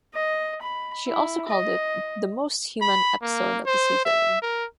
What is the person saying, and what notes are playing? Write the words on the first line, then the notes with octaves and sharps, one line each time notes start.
She also called it the "most human" episode of the season.
D#5
B5
E4
D#5
B5
A#3
C5
E5
A#4